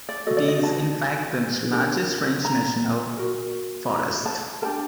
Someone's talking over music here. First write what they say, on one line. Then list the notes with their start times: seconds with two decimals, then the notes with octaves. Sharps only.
It is in fact the largest French national forest.
0.09 D5
0.26 F#4 A4 D#5
0.37 D5
0.48 D#5
0.63 A5
1.72 D4 G4 A#4
2.45 A#5
3.17 F#4 A#4
3.89 A#5
4.26 A5
4.62 D4 G4 A#4 A5